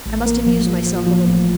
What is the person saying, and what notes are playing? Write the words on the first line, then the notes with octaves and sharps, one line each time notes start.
I must amuse myself a little.
A1
A#3
F3
F3
F3
F3
A1